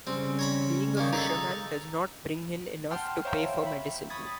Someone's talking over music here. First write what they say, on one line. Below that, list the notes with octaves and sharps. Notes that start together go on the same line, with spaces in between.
Being a fisherman does not bring in enough to pay for medicine.
C#3 G3 C4
C#5 A#5 B5
D#3 A#3 C#4
D#4 G#4 A4 A#5
F#5 G5 A5 C6 F6
C5 C#5 E5 F5 G5 A#5
E5 B5
B5 C#6 D#6 G#6 A6 B6